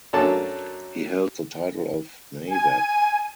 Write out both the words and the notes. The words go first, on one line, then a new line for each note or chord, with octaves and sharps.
He held the title of Nawab.
F#2 A#3 C#4 D4 A4 A5
G#5